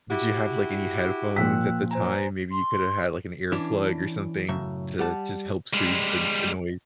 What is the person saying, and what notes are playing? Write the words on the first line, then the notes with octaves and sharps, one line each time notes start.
Did you have, like, any headphones at the time? Maybe you coulda had, like, an earplug or something to just help soothe the the noise.
E4 F#4 G4
A#2 F3 G5 E6 F#6 B6
C5 G#5 A#5
C6
E3 C#4 D4
F#2 A2 C#3 E5
G3 F#5 A5
G3 G#3